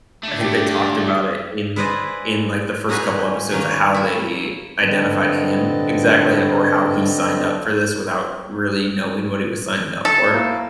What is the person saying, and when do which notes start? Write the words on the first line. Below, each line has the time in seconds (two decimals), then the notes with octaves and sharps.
I think they talked about it in in, like, the first couple episodes of how they identified him exactly or how he signed up for this without really knowing what he was signing up for.
0.23 A3 D4
0.41 G4 G5
1.76 E4 G#4 B4 C5 D5 D#5
2.89 C#4 D#4 F#4 G#4 B4 C#5
3.51 D#3 A#3 C#4
3.94 E4 E5
4.79 G2 D3 C4 B4 D#5 A5
10.05 A4
10.33 A#3 E4